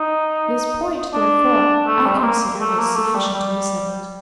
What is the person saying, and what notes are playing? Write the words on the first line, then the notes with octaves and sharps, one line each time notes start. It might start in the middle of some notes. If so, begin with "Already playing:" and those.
This point, therefore, I considered as sufficiently settled.
Already playing: D#4
D4
A3
G3
C4
A#3
A3
A#3
A3
G3
G3